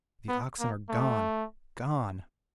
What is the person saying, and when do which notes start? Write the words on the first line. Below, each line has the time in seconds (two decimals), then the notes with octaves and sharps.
The oxen are--gone--gone!'
0.29 B3
0.60 A#3
0.89 A3